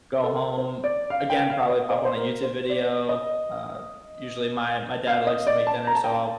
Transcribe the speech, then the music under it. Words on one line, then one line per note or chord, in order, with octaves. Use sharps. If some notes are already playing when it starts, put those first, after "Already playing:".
go home, again, probably pop on a YouTube video. Uh, usually my my dad likes to make dinner, so I'll
A4
A#4
C5
D5
F5
G5
F5
D#5
C5
D5
C5
A#4
C5
D5
D#5
F5
D#5
D5
A5
A#5
A5
G5
A5